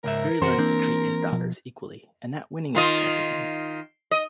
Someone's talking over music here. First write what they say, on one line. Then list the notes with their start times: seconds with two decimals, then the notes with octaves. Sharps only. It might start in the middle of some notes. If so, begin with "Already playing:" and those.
Jerry learns to treat his daughters equally and that winning isn't everything.
0.04 C#2 G#2 A#4 E5
0.42 F#2 E3 F#4 C5
0.59 E3 A#3 C4 D4
1.32 B2 F3
2.75 D#3 F4 D#5
4.11 D#5